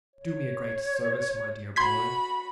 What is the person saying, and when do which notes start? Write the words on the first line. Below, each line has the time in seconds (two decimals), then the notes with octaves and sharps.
Do me a great service, my dear boy.
0.16 C#5
1.76 F#4 B5 C6 G#6 B6